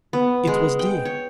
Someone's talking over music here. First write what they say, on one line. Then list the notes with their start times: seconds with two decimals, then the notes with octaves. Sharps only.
It was Dea.
0.13 B3
0.47 G#3
0.79 G5
1.05 C#5